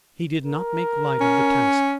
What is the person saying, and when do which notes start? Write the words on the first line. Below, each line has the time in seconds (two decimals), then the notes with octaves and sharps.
He did not make light of the task.
0.45 A#4
1.20 C#4